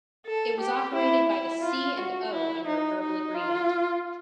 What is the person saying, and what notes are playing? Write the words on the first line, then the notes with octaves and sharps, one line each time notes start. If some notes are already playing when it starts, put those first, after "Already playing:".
It was operated by the C and O under a verbal agreement.
A4
G4
E4
E4
F4
F#4
E4
D#4
D#4
F4